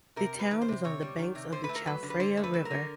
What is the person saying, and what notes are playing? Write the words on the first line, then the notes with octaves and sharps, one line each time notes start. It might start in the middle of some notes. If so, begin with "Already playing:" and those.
The town is on the banks of the Chao Phraya River.
C3 A#4
G3 B4
D#3
C5
C3
C3 C#5
G3
D#3
C3
D3 C5
B4
A3
A#4
F#3 B4
D3
B4
D3 C5
A3
B4
F#3
A#4
D3